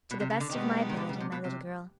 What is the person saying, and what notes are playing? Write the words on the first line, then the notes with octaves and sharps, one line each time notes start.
"To the best of my ability, my little girl."
B2
C3
C#3
D3
B2 D#3 G#3 B3 D#4 G4
D#3
D3
C#3
C3
B2
C3